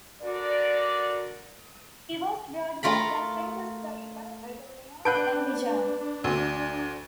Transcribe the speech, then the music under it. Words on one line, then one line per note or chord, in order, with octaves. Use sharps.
He was brought back and sent to study law at Lyon and Dijon.
D3 F#4 A#4 D5
A3 F4 A#4 B5
D4 B4 F#5 A5 F#6 G6 D7
D2